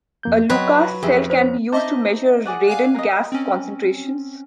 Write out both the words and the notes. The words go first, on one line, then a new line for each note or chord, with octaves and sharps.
A Lucas cell can be used to measure radon gas concentrations.
F2 A#3 G6
F#3 F#4 B4 D#5 G5 C6
F2 G4 G#4 E5
C5 C#5
D#4 C5 D#5 E5 A5 D6
G#4 D5 F#5
F5 G#5 F#6
A#4 D#5
C4 C#4